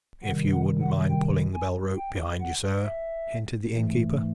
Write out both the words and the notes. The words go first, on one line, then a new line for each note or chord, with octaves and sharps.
"If you wouldn't mind pulling the bell-rope behind you, sir," hinted the innkeeper.
C3 D#3 G3 F#5
F#5
F#5
G5
G#5
G5
F#5
E5
G#2 E3 A3